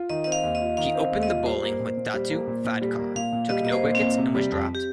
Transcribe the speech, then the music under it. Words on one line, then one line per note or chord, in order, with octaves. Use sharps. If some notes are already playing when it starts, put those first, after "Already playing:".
He opened the bowling with Dattu Phadkar, took no wickets and was dropped.
Already playing: F4
D#3 D#5
C4 D#5
F5
D#2
D#5
F4
D#3 F5
C4
D#2
D#5
F4
G3 C5
A#3
A#2
A#2
G3
A#3
A#2
A#2
G3
A#3
A#2 F5
A#2
G3 D#5
A#3 D#5
C5
A#2
C4
A#2
C3
G3
F2
G4